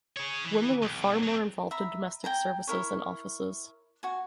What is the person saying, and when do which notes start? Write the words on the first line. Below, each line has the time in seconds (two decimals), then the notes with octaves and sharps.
Women were far more involved in domestic services and offices.
0.16 G#4 C#5
0.45 E3
0.82 B1
1.23 F#3 C4
1.71 E5 A#5 B5
2.24 G5 G#5 A#5
2.67 E4 A#4 C#5
4.03 F#4 G#5